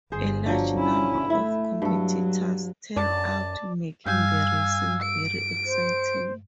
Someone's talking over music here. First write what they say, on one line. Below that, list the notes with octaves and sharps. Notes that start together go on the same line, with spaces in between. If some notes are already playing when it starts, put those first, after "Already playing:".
A large number of competitors turned out, making the racing very exciting.
G1 G#4 C5
D3 F3 F#3
C#4 E4
A3 E4
G2 F#3 A4
F#2 D5 A5
G2 G3 F5 G#5 E6 G6
D7
C5